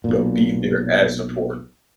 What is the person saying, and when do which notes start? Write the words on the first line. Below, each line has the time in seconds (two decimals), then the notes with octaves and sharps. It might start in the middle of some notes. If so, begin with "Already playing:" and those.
but be there as support.
0.04 B1 A#2